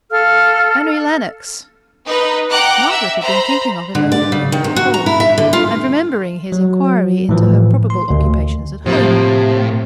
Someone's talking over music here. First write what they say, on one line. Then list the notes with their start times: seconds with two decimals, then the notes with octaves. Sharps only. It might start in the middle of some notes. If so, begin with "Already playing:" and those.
Henry Lennox.' Margaret had been thinking of him only a moment before, and remembering his inquiry into her probable occupations at home.
0.10 A4 F5 F6
2.06 D#4 B4
2.50 F#5 G5 A#5 D6 F#6
2.90 E5 E6
3.23 C5 A#5 B5
3.95 D3
4.12 D5
4.32 C#3
4.52 D#3
4.64 C3
4.76 F#4
4.94 A#5
5.06 E4
5.20 E5
5.38 D3
5.53 F4
6.52 F#3
7.29 A2 E3 F3
7.90 C6
8.10 D2
8.86 A2 C3 F3 A#3